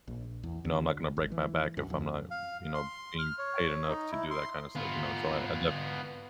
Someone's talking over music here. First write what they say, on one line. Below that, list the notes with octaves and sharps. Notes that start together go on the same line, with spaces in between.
you know, I'm not gonna break my back if I'm not, you know, being paid enough to do that kinda stuff, you know, so I I def
A#1
E2
D2
G#1
E3
F#2
F2
F5
C6
F6
C#5
D#4
E4
C6
B3 F4